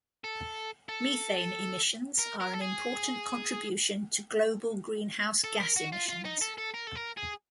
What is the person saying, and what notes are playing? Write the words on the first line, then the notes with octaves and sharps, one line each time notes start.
Methane emissions are an important contribution to global greenhouse gas emissions.
A4
A4
A#4
A#4
A4
G#4
A4
A#4
F#4
F4
F4
D#4
A4
A4
A#4
A4
A#4
G#4